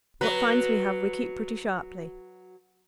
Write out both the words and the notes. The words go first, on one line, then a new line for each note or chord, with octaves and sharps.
What fines we have, we keep pretty sharply.
F#3 B4